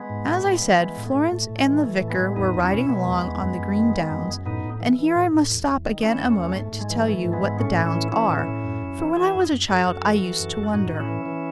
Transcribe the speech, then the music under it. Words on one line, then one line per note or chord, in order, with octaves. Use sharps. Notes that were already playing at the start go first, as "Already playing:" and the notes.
As I said, Florence and the vicar were riding along on the green downs; and here I must stop again a moment to tell you what the downs are, for when I was a child I used to wonder.
Already playing: G#3 B3
G#2
A2
A2
E3
E3 G#3 B3
A2
A3
A2
A2 A3
A2
G#3
E3
E3 A3
A2
G#3 B3
A2
E2 B3 D#4
E2
C#4 E4
B2
B2 G#3 B3
E2
E2
F#2
F#2
D#3
D#3
F#2
F#2
A2 B3 D#4
A2
E3
E3
A2
A2
E2
E2
D#3
D#3 C#4 E4
E2
A3 C#4
E2
G#2 A3
G#2
G#3
E3
E3 A3
G#2
G#3 B3
G#2
A2 A3 C#4
A2
C#4 E4
E3
E3 C#4 E4
A2
C#4 E4
A2
F#2
F#2
E3
E3 E4 G#4
F#2
F#2
F#2 F#4 A4
F#2
E3
E3
F#2
F#2
A2 D#4 F#4
A2
C#4 E4
E3
E3